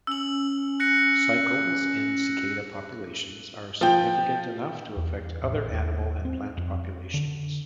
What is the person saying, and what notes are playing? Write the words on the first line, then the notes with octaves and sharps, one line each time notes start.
Cycles in cicada populations are significant enough to affect other animal and plant populations.
C#4 E6 F#7
F#6 A#6 C#7
F3 G5
E2
A1
D#2
C4
F2
D3